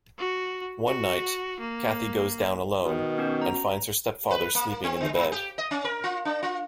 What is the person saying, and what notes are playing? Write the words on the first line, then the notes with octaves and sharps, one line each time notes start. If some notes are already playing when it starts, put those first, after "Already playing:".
One night, Cathy goes down alone, and finds her stepfather sleeping in the bed.
F#4
F#4
A#3
B2 D#3
B3 C#4 F#4
A#5
B4
A#3
C4
D3
G#2
G4
D#5
C#4
A#4
F4
D4
F4